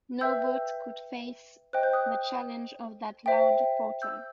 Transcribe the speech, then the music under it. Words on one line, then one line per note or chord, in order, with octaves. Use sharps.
No boat could face the challenge of that loud portal.
B4 E5 G5 E6 G6
C5 D#5 G5 F#6
G6
D#6 F#6
C5 E5 G5
E6 G6